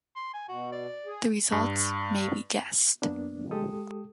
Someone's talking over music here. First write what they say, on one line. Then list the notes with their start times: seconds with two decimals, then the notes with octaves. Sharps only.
The results may be guessed.
0.16 C6
0.34 G#5
0.49 B2 F#4
0.72 D5
1.06 G#4
1.52 G2
3.02 F#2 A#3 B3 D4
3.51 G#3 G4 A4 D#6